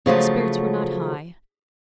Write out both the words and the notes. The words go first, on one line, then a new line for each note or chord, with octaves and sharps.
Her spirits were not high.
C#3 F3 F#3 A3